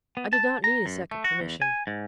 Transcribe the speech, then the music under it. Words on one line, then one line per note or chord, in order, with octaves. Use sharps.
I did not need a second permission.
B3
A5
A#5
F#2
A3
F#4
E2
G#5
G#2